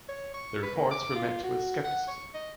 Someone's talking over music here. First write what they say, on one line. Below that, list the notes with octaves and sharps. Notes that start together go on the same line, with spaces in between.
The reports were met with scepticism.
C#5
C#6
B4
A#3
D6
F4
F#4
F#5
C#6
D#5